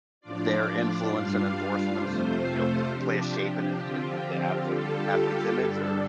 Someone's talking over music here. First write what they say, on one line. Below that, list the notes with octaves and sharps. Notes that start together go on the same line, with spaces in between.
their influence and endorsements, y you know, p play a shape in s in the athlete athlete's image, or
A2 F3 D4 F4 D5
G2 G3 D4 F4 F5
F2 C3 A3 F4 C5
A4
C3 F3 D4 G4
D3 F3 C4 F4
D3 G3 F4 A4
G4
G4
G2 D3 G3 D4 A4